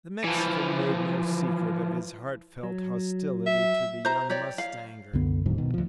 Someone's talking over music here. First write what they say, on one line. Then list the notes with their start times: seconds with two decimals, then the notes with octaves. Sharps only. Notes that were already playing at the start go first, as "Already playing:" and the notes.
The Mexican made no secret of his heartfelt hostility to the young mustanger.
0.24 E3 F3
2.63 F#3
3.46 E5
4.05 C5 A#5
4.29 G4 C#5 D5
4.58 F5
5.13 C2 F#2 D3 B3
5.46 D#1 G#2 D3 F#3
5.58 B2 D#3
5.74 D2 F3